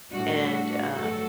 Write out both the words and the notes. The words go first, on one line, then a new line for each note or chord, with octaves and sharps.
and, um,
A2 G3 D4 F#4
G2 F#3 A3 F#4 A4